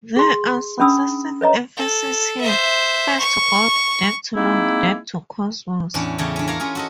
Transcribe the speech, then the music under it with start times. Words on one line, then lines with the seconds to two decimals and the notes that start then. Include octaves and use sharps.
There are successive emphases here, first to 'God', then to 'Law', then to 'Cosmos'.
0.16 G#4 C6
0.79 C#4 D4 B5 D#6 E6
1.41 B4 C#5 D#5 A#5
1.77 A4
2.40 C5 E5
3.19 C#6
4.36 G#3 A#3 C4 D#4 E4
5.94 E2 A2 C#4 D4
6.18 E2 C#3 A3 C#5 G5
6.36 C#4 D4
6.48 A#4 C#5 D5 F5 A#5
6.60 C#4 F4 G#4
6.75 F#4 A4 D#5